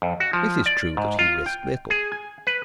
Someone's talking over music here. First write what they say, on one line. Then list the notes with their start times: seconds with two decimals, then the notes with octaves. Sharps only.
It is true that he risked little.
0.02 F2
0.20 F#4
0.33 F3
0.66 D5
0.97 G#2
1.19 F4
1.46 G5
1.90 G#4
2.12 G#5
2.47 B4